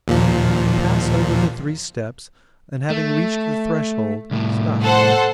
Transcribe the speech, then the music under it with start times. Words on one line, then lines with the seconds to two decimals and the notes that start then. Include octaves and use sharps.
He passed over the three steps; and having reached the threshold, stopped.
0.08 D#2 A#2 F3
2.90 A3
4.31 C2 A2
4.83 A4 C5 F#5